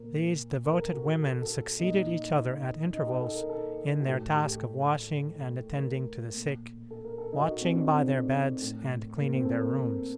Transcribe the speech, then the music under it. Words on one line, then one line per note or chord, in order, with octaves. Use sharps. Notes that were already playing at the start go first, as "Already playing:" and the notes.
These devoted women succeeded each other at intervals in their task of washing and attending to the sick, watching by their beds and cleaning their rooms.
Already playing: A#2 A#4
A#4
A4
F#4
A4
A4
A#2 D#4
D#4
G4
A4
A#4
A4
F#4
A2 G4
G4
G4
A4
A#4
A#2
A4
A#4
A4
D#4
F#4
D#4
C4
D4
C4
A2
A#3
C4
A4
A#4